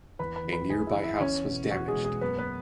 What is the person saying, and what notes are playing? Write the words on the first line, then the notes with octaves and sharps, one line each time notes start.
A nearby house was damaged.
E2 B4 B5
B4 B5
E3
B4 B5
E2 G#4 G#5
E4 E5
E3
E4 E5
E2 C#4 C#5
B2
E2 F#4
G#3 G#4
B2
G#3 G#4
F#2 B3 B4
B3 B4